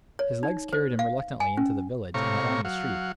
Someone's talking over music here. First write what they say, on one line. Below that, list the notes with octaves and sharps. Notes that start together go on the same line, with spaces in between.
His legs carried him reluctantly into the village and along the street.
C#5
D#4
C5
F5
G#5
C#4
A2 C3 C#5 F5 A#5 C#6
F#3 F5 F#5